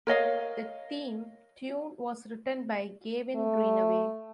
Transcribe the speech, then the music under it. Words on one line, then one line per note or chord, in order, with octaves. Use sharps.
The theme tune was written by Gavin Greenaway.
A#4 C#5 D#5 F5
A3